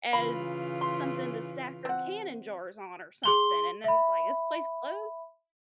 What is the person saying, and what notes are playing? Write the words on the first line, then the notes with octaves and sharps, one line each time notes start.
as something to stack her canning jars on or something, and then it's like, "This place closed?"
C#3 E3 F4 B5
C6
C4 F#5
G#4 C6 G7
E5 B5